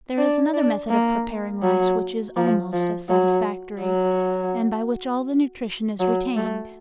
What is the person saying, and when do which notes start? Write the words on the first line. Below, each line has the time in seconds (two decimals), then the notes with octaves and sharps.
There is another method of preparing rice which is almost as satisfactory, and by which all the nutrition is retained.
0.18 D4
0.54 D4
0.90 A#3
1.63 F#3
2.36 F3
2.73 F3
3.09 F#3
3.81 F#3
6.00 F#3
6.37 A3